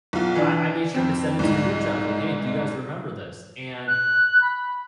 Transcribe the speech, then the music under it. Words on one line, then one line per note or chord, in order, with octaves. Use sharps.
I I made sure to send it to the group chat, I was like, "Hey, do you guys remember this?" And
B1 F4
E3 D4
F2 C4
C2 G#2
F#6
B5